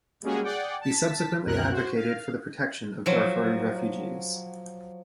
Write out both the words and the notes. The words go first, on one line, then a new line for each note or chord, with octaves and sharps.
He subsequently advocated for the protection of Darfuri refugees.
G3 G#3 A#3 C#4 F#4 G#4
G#4 D5 F#5 G5
A5 B6
C#2 F#2 B2 A#4 F#6
F#4 C5
F5
F3 F#3